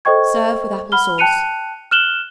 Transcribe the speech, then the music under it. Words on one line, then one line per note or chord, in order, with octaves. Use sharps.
Serve with apple-sauce.
A4 C5 D#5 G5 C#6 G#6
F#5 B5 F6 G7
G5 A5 F#6 C#7 D#7 F7
F6 F#6 E7 F#7 G7